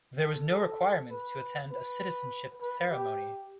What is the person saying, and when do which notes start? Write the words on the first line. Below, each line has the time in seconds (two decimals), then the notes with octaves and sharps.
There was no requirement to attend a citizenship ceremony.
0.19 A4
0.50 A4
1.11 B4
1.71 B4
2.61 B4
2.91 G4